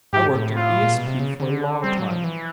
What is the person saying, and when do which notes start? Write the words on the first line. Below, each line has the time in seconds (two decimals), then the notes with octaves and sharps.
I worked in ESP for a long time.
0.13 G#2 G4
0.35 A2
0.56 F4
0.83 A#2
0.95 B2
1.07 C3
1.19 C#3
1.40 D3
1.82 G3 C4
1.98 F#3
2.11 F3
2.24 E3